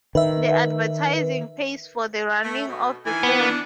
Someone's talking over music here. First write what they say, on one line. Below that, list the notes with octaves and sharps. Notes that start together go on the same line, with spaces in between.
The advertising pays for the running of the phone.
D#3 B4 E5
A3
B2
D#3 E3 G#5
B3
D4